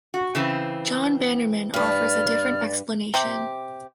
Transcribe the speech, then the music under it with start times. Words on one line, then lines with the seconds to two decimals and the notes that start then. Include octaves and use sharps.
John Bannerman offers a different explanation.
0.14 F#4
0.35 C#3 E3 C4
1.74 G2 B4 D5 F6
3.14 C3 G4